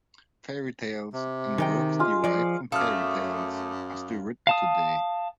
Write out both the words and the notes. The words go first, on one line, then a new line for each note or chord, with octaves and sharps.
Fairy tales, and works derived from fairy tales, are still written today.
C3
D#3 G#3 D#4 G5
F4 G#4
F3 G#3 D5
F#2 A3 F5 D6 D#6 F6
F5 A5 D#6